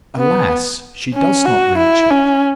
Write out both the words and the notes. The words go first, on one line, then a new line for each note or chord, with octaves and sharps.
Alas, she does not reach it!
B3
C#4
F#4
E4
C#4